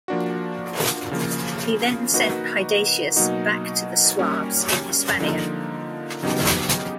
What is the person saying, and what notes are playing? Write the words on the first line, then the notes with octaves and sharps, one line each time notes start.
He then sent Hydatius back to the Suebes in Hispania.
F3 A#3 D4 F#4
C#3 F3 A#3
A#3 D#4 F#4 B4
B2 F#3 A#3 D#4 F#4
G3 A#3 C#4
D3 F3 A#3 D#4
C#3 F#3 B3 D#4 G4